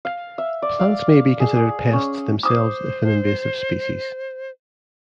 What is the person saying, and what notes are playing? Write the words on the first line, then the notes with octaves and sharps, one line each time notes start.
Plants may be considered pests themselves if an invasive species.
F5
E5
D5
F5
G#4
G#4
C#4
C5 D6 D#6